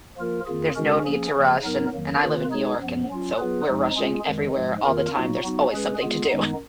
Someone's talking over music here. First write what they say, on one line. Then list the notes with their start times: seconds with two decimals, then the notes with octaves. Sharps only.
There's no need to rush, and and I live in New York, and so we're rushing everywhere all the time, there's always something to do,
0.17 F3 A#3 F4 A#4
0.46 F2 D#3 A#3 F4 G#4
0.75 C#3 G#3 C#4 F#4 A#4
1.04 F3 A#3 C#4 G#4
1.34 C#3 F3 A#3
1.63 G#2 F#3 B3 D#4 A#4
1.91 F2 D#3 F#3 A#3
2.21 D#3 A#3 F4 B4
2.51 G#3 D#4 G#4 C#5
2.80 F#2 F3 B3
3.09 F#3 C#4 F4
3.38 F#3 B3 F4 G#4 B4
3.67 F2 F3 G#3 D#4
3.96 G#3 C#4 F4 G#4
4.25 F2 D#3 G#3
4.55 G#2 F3 G#3
4.83 F2 D#3 A#3 F4 A#4
5.13 A#2 F#3 A#3 D#4 F#4
5.42 F#3 B3 D#4 F#4
5.72 G#3 C#4 G#4 B4
6.01 G#3 B3 F4 G#4
6.30 F#2 D#3 G#3 B3 D#4